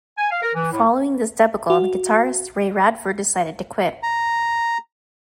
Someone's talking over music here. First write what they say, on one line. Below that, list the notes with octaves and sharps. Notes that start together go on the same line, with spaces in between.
Following this debacle, guitarist Ray Radford decided to quit.
G#5
F5
A#4
E3
A2
F#4
A#5